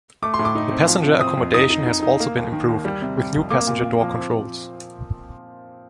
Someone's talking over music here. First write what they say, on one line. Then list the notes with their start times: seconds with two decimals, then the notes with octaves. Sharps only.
The passenger accommodation has also been improved, with new passenger door controls.
0.22 A3 D6
0.34 C6
0.39 A2
0.45 D6
0.55 D#4
0.71 C4
0.88 F3
1.05 C3
1.21 C4 D#6
1.37 F2
1.54 D#4 D#6
1.70 D#4
1.87 D#4
2.03 D#4
2.20 A#3
2.36 D#2
2.52 D#3
2.69 D#2
2.85 G3
3.02 C3
3.17 G3
3.35 F2
3.50 A#3 D6
3.67 A#2
3.84 A#2
4.01 F3
4.17 C4